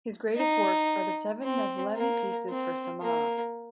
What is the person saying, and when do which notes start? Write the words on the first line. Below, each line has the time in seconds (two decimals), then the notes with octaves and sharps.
His greatest works are the seven Mevlevi pieces for Samah.
0.36 D#4
1.43 C4
1.96 A#3
2.49 C4
3.02 A#3